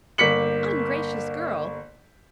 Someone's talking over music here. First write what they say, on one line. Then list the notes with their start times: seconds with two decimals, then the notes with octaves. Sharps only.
Ungracious girl!
0.18 G1 A#3 D6 B6 C#7 F#7